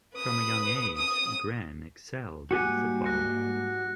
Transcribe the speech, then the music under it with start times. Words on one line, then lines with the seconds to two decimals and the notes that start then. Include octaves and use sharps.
From a young age, Gren excelled in football.
0.15 B4 D#6
0.97 D#6
2.51 G#2 G3 A#3 F#4 G4 G#5 F#6 C#7
3.05 F#6 A#6 C#7